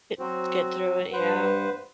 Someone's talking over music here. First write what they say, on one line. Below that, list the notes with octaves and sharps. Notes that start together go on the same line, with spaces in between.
Eh, get through it, yeah.
F#3 C4 F#4 C5
G2 B4 C5 F#5